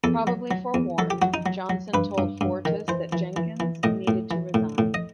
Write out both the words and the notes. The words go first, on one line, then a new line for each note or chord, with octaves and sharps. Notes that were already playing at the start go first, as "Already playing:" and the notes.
Probably forewarned, Johnson told Fortas that Jenkins needed to resign.
E2 A4
F#3
F#3
E2
F#3 A4
G4
F#3 F#4
D#4
F#3
F#3
G2 B4
G2
G2
D#3
E3 C5
E3
E3
E3
A2 D#5
A2
E3
A2
A2
D#5